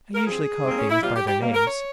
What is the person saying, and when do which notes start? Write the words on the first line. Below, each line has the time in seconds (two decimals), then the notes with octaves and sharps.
"I usually call things by their names."
0.15 A#4
0.26 G2 F3 C4 G#4
0.63 G#2 G3 A#3 C4
0.78 C#4
0.90 E4
1.02 C3 G3 A#3 F4
1.15 G4
1.27 G4
1.40 C3 G3 A#3
1.54 A#4
1.66 C#5